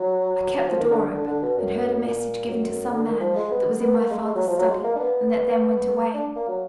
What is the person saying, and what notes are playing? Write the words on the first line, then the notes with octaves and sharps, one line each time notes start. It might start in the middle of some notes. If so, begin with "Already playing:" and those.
I kept the door open, and heard a message given to some man that was in my father's study, and that then went away.
Already playing: F#3
F#3
F3
D#3
D3
D3
D3
B2
F#2
A#2
F#2
D3
D#3
F3
G#3
B3
B3
A#3
G#3
G#3
F#3
F3
F#3
G#3
A#3
D4
B3
D4
A#3
F#3